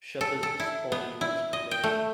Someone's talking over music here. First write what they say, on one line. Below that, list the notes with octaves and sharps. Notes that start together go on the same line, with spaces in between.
Shepard's body was cremated.
A4
A4
E4
B3
E4
D#5
G5
A3